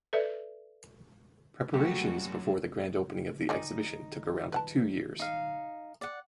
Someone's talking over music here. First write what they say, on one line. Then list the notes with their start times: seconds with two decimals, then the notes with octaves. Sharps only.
Preparations before the grand opening of the exhibition took around two years.
0.13 A4 B4 D5 E5
1.74 F#2 G3 A3 A#3 F#4 G4
3.49 D#3 D#4 D5 G#5
4.52 B4 F#5 A5
5.19 D#4 F5
6.01 D5 F#5